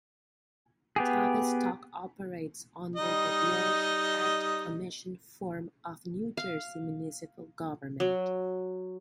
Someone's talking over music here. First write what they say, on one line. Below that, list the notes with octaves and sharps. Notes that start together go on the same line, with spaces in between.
Tavistock operates under the Walsh Act commission form of New Jersey municipal government.
B3 G4 G#4
G3 D#4 D#5
F5
F#3